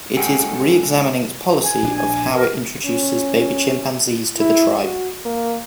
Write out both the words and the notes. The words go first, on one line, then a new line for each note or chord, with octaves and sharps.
It is reexamining its policy of how it introduces baby chimpanzees to the tribe.
G#3 C#4 A4 F#5 G5
G#5
A#1 D4
G#5
A#4
C#4
E4
F#4
A#3